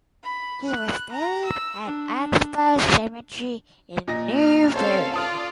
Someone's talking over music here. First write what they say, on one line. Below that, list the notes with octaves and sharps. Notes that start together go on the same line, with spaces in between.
He was buried at Oxbow Cemetery in Newbury.
B5
F#6
A#5
E6
D4
A#2 D#5 A#6
F6
C4 C#4 A4 C5 C#5 F5
F4 D5 A5 D#6 F6